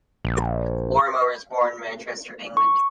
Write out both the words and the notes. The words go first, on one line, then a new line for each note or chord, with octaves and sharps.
Lorimer was born in Manchester, England.
A#1
C#6